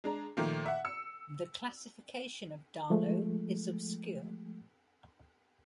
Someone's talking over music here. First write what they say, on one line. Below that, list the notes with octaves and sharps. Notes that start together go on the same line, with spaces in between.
The classification of Dahalo is obscure.
G#3 D4 A#5
A#2 D#3 F3 A3 A#3
E5 F#5
E6 C#7
F3 G#3 A3